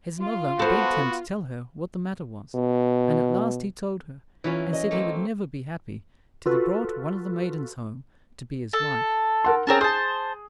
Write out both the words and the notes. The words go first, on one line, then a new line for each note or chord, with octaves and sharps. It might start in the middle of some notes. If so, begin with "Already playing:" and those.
His mother begged him to tell her what the matter was; and at last he told her, and said he would never be happy till he brought one of the maidens home to be his wife.
F4
B3 F#4 A4 C5
B2
E3 F#3 C#4 E4 F4
D#5
A3 A#3 C4
F4 F#4 A4 B4
A4
A#4 F#5 C6
C4 C#4 G#4 A#4 C#5 A5
G#4 C5 A5 D#6